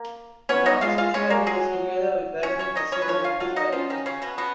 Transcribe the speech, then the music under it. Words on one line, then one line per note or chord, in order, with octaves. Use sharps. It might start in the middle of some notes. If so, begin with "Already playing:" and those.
The town Skillingaryd is together with Vaggeryd the seat of the municipality.
Already playing: A#3 A#4
B3 C#4 C#5
D#4 D#5
G#3 F4 F5
F4 F5
G#3 C#4 C#5
A#3 A#4
F#3 G#3 G#4
C#4 C#5
C#4 C#5
D#4 D#5
C#4 C#5
B4
F3 C#4 C#5
F4 F5
F#3 F4 F5
D#4 D#5
F3 C#4 F4
D#3 D#4
C#3 C#4
B2 B3
B2 B3